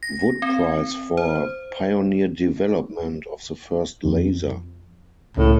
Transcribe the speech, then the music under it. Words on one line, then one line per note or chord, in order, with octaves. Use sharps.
Wood Prize for "Pioneer Development of the First Laser".
A#6
C4
C5
F2
C#2 A2